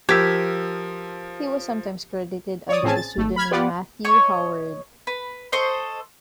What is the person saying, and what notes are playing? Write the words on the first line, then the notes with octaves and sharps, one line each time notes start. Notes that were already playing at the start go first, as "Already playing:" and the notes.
He was sometimes credited under the pseudonym Matthew Howard.
F3 G4 A#4 E6 G#6 B6
C#5 D5 D#6
A1 C4 C#4 G#4 G#5 A5
A6
G#1 A3
B5 F6 G#6
B3 F4 G4 B4 D5 F#5
C#5 D#5 C#6
B4
A4 C5 D#5 C#6